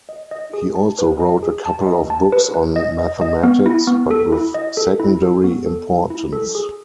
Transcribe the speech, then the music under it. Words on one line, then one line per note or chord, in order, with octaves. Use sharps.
He also wrote a couple of books on mathematics, but with secondary importance.
D#5
D#5
G#4
A5
B4
D#5
G#4
A5
D#5
A5
B4
B4
D#5
D#5
D#5
B3
E4
B3
A4
E4
D#5
A4
E4
A4
B3
A4
E4
E4
A4
G#4